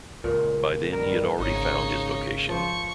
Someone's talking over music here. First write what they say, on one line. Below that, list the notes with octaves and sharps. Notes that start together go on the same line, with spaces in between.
By then he had already found his vocation.
C#2 A#2
G2 D#3 G3 A#4
G#1 C#3 D#4 C#5
F3 C5 C#6